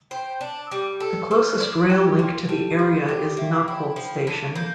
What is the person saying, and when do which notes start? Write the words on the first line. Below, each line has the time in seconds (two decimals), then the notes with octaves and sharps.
The closest rail link to the area is Knockholt station.
0.11 C5 G5
0.41 D4 A5
0.67 E6
0.71 G3 D6
1.00 A4 E6
1.30 C5 F6
1.60 D4
1.90 G4
2.19 A#3 C6
2.48 G3 A5
2.78 E4 F5
3.08 G4 D5
3.37 A#3 E5
3.67 E4 G5
3.96 F3 G5
4.27 D3 A5
4.55 A#3 G6